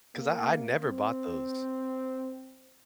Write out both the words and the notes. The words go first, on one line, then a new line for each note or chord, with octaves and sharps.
'Cause I I never bought those.
A#3
C4